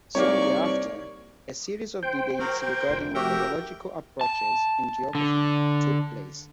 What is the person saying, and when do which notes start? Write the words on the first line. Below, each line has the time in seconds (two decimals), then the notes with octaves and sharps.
Soon thereafter, a series of debates regarding methodological approaches in geography took place.
0.15 C2 A#3 D#4 G4 C#5 D5 C#6
2.03 C5 G5
2.39 F#3 A#3
2.61 A#3
2.89 F1
3.15 F#4 G4 A#4 E5 G5
4.21 A5
5.15 D3